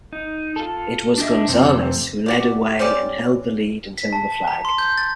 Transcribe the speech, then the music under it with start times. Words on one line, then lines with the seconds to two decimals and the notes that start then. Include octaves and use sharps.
It was Gonzalez who led away and held the lead until the flag.
0.13 D#4
0.56 F4 A4
1.18 D4 F#4 G4 D#5 E5
1.47 F2 C3 A3 C4
2.26 F#4 G4 D5
2.79 C4 C#4 G4 D5
3.98 B6
4.13 A5
4.32 A5
4.47 A#5
4.65 C6
4.78 G6
4.98 A6